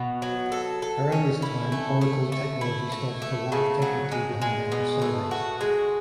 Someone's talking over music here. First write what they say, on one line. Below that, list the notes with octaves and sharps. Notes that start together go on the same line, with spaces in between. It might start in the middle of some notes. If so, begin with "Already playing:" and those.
Around this time, Oracle technology started to lag technically behind that of Sybase.
Already playing: B2 F#4
F#3
A4
A4
C#4
E4
A3
A3
A3
E4
A3
A3
C#3
F#3
G#3
G#3
B2
A3
F#4
G#3